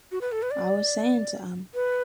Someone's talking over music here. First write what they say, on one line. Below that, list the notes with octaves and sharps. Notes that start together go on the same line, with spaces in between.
I was saying to 'em.
F#4
B4
A4
B4
D5
B4